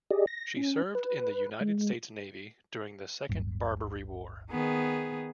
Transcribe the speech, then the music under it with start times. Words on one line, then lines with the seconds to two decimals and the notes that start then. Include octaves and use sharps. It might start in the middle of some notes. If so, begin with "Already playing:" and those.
She served in the United States Navy during the Second Barbary War.
0.11 G4 G#4 D5 D#5
0.27 A#6
0.57 C#4
0.95 B4
1.61 G#3
3.29 D1 G1
4.50 D#3 B3 G#4